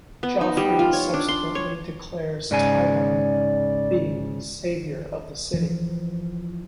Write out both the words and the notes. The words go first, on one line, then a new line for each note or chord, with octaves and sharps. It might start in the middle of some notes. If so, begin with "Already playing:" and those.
Joffrey subsequently declares Tywin the "Savior of the City".
B3
D#4
G3
F4
C#5
D4
C6
C#5
G#2 C#3 D5 G#5
E3 F3